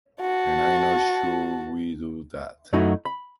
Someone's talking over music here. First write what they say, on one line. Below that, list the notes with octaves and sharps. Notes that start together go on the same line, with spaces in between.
And I'm not sure we do that.
F#4 A5
F#2 F#3 A3 D#4 E4 F#4
B5